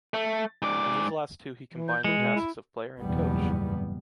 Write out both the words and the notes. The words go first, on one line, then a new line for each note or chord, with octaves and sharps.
In these last two he combined the tasks of player and coach.
A3
G#2 D5
E3
G6
E3 G#3 C#7
B2
E4
F#1 E2 G#2 B2 G3 B3